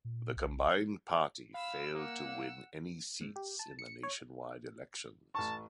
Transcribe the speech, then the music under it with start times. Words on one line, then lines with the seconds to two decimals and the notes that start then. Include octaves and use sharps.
The combined party failed to win any seats in the nationwide elections.
0.05 A#2
0.36 B1
1.54 F5 B5 E6
1.95 A#3 F#5 E6
3.21 G#2
3.36 G4
3.59 A5
3.79 C#7
4.03 C#5
5.35 A1 A5 C#6